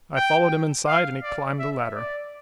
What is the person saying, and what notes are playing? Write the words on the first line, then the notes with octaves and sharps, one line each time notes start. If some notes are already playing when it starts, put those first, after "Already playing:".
I followed him inside and he climbed the ladder.
G5
F5
D5
E5
D5